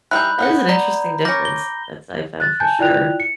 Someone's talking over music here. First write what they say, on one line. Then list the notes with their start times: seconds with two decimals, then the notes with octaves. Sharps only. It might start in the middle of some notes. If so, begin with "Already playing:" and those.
That is an interesting difference that's I found for sure.
0.11 E3 G3 D#4 B5 F#6 G6
0.39 B3 F5 F#5
0.69 D5 A#5
1.25 C#4 A#4 D6 G6 A#6
1.45 G7
2.40 F#6 A6
2.60 G#5 A5 G6
2.79 E4 F4 D5 G5 F#6 F7
3.20 C#7